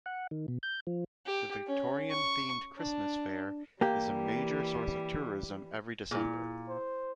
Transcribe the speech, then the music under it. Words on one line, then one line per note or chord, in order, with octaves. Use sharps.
The Victorian-themed Christmas Fayre is a major source of tourism every December.
F#5
D#3
B2
G6
F3
G4
C#4
C#6
D4
E3 G3 A#3 G4
A#2 E4 G#4
C5